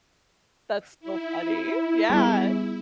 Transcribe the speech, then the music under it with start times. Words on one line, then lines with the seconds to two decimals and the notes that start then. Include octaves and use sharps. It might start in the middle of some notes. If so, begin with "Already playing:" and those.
That's so funny, yeah,
1.00 E4
2.09 G3 B3 G#4